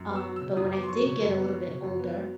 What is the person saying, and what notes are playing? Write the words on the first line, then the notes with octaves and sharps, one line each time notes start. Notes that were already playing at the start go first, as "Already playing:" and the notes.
Um, but when I did get a little bit older
Already playing: F#2
B3
E6
F#3
C#3 E6
F#2 D#6
B3 D6
C6
F#3 C#6
C#3 C#6
F#2
B3
F#3
C#3
F#2
B3
F#3